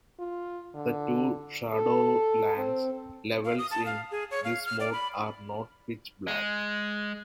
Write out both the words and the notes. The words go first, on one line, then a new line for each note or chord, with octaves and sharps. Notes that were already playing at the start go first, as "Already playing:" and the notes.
The two Shadowlands levels in this mode are not pitch black.
F4
D3
A4
C4
F5
D#6
A5
F5
G#4
C#5
F5
F6
D5
B5
G#3